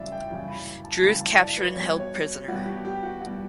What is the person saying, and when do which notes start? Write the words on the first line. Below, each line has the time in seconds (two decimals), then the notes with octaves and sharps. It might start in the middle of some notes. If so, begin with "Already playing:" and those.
Drew is captured and held prisoner.
Already playing: F#2 C#3 E3 G3 D5 E5
0.12 G5
0.30 F#2 C#3 E3 G3
0.48 B5
0.84 A5
1.02 F#2 C#3 E3 G3 B5
1.21 A5
1.39 D5
1.57 B4
1.75 B2 G3 C#5
2.00 C#5
2.48 B2 G3 F#4
2.66 G4
2.85 G4
3.03 F#4
3.21 B2 G3 F#4